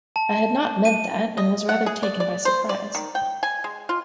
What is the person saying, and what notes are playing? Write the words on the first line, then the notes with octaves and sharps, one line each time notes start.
I had not meant that, and was rather taken by surprise.
A5
D#7
D#5
F#5
G#4
D5
D5
C5
D5
D#3
G5
G#5
G#3
F4